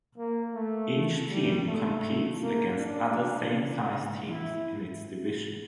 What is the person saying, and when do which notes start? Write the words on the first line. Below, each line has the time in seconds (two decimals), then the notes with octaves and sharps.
Each team competes against other same-sized teams in its division.
0.17 A#3
0.54 A3
1.29 G3
1.67 A3
2.42 A#3
2.79 D4
4.30 E4